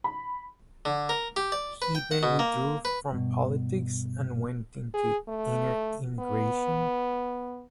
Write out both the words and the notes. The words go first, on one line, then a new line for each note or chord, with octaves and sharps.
He then withdrew from politics and went into "inner emigration".
B5
D3
A#4
G4
D5
B4
G5
F#5
B2
A#3
B4
G2 B2
G#4
A3
B3